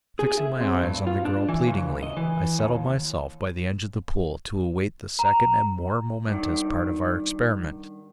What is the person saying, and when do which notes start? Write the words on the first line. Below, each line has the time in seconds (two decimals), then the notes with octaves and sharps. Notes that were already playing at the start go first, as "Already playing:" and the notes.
Fixing my eyes on the girl pleadingly, I settled myself by the edge of the pool to await the second and more momentous part of our experiment.
0.19 G#4
0.37 E5
0.61 C4
0.83 G2
1.07 F4
1.25 D4
1.48 E3
1.67 C#2
2.03 D#5
2.17 E3
2.59 D#2
5.19 A#5
6.28 G2 D#3